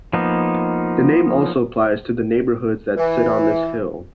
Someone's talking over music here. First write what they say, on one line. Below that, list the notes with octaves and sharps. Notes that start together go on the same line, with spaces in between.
The name also applies to the neighborhoods that sit on this hill.
F3 A#3 B3 D#4
E3